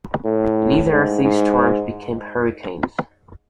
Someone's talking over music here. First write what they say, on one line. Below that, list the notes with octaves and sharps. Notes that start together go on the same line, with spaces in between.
Neither of these storms became hurricanes.
A2
G#2
G#2